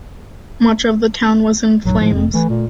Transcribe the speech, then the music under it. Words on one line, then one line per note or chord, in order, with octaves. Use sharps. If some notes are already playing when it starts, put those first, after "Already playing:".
Much of the town was in flames.
A#1 G2 F#3
A2 D#3 F3
F1 F2
E3 A3
A#2